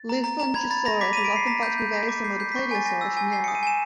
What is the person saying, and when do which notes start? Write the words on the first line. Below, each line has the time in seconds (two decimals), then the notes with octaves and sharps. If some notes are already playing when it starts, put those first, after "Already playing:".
"Lufengosaurus" was often thought to be very similar to "Plateosaurus" from Europe.
Already playing: A6
0.09 A#5
0.24 A#5
0.40 A#5
0.55 B5 G#6
0.71 B5 A6
0.85 B5 A#6
1.01 D6 B6
1.13 B5 D#7
1.24 D7
1.32 B5 C7
1.47 A#5 B6
1.63 G6
1.78 G6
1.94 A#5 B6
2.09 D6
2.24 G6 C7
2.39 G6 C7
2.52 C#6 B6
2.71 G#5 A6
2.86 G#5 A#6
3.01 E6
3.17 G#5
3.32 G#5 C7
3.44 D#6 C#7
3.55 D#7
3.63 G#5 E7